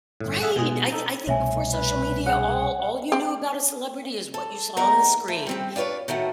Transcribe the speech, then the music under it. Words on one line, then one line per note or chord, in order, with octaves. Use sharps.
Right? I I think before social media, all all you knew about a celebrity is what you saw on the screen,
G1 A2
G#4 E5 F#5
B2 G#3 G#4
D#4 A4
C2 B2 A3 C#5 E5 G#5
B4
G#4 F#5
C4 G4
A4
E2 D#4 A#4 F#5 A#5
A3
G3 C4 G4
D4 F4 B4 C#5 D5
A2 D#3 A3 F#4